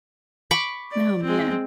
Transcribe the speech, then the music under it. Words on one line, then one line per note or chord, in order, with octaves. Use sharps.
Oh, man.
B5 C#6 D6
D5
G#3 C4